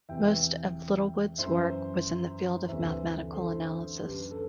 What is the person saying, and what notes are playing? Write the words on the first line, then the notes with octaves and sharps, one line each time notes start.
Most of Littlewood's work was in the field of mathematical analysis.
E2 C3 E3 E5 G5
F#2 E3 C5 E5
D2 C3 E3 C5 E5
A4 C5
F#2 D3 G4 B4
B4
A4